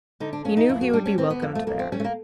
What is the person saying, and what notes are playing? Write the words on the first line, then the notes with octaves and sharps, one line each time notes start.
He knew he would be welcomed there.
D3 D#4
D4
F2 C#4
D#4
F2 E4
F#4
G3 D4
C#4
D3 C4
B3
F2 A#3
A3
F2 A#3
C4
G3 C#4
A3
A#3